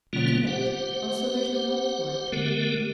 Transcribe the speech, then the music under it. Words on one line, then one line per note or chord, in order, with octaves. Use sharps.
"I can't! and so there's no help for it."
B2 D3 G3 A#3 C#4 F4
G4 C5 F#5
D3 G#3 A3 B3 G4 A#4